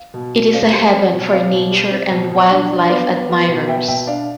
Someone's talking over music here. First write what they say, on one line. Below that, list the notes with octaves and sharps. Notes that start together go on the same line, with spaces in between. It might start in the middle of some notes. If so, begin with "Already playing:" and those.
It is a heaven for nature and wild life admirers.
Already playing: F5
B2
B2
C4 D5 F5
G3
C4
B2
C4 D5 F5
B2
G3
C4
B2
B2
D4
D4
B3 D5 F5
B3
B3
B2
B3 E5 G5
B2 E5 G5
D4 D5 F5